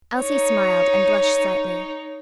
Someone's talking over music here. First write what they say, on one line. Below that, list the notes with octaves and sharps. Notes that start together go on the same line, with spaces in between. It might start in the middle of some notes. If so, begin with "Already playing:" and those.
Elsie smiled, and blushed slightly.
D#4 C#5